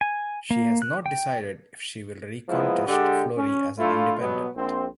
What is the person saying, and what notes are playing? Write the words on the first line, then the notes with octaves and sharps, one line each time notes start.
She has not decided if she will re-contest Florey as an independent.
G#5
A#3
F#6
G5
F3 G#3 A#3 B3 E4
D3 G#3 G4
C#4
A3 D4 E4 F4
B2 F#3 G3 B3
A#1 C4